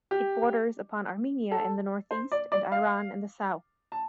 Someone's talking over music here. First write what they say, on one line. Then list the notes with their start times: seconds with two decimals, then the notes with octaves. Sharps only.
Its borders upon Armenia in the North-East, and Iran in the South.
0.11 G4
1.51 A4
2.11 C5
2.32 D5
2.52 D5
2.72 F5
3.92 A5